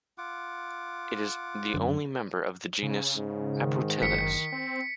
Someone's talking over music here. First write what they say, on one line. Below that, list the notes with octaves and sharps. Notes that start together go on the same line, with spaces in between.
It is the only member of the genus "Aproteles".
F4 F#5 D6
F#2 D3
C#3
G#2
D#3
F#1 B6 C#7
C4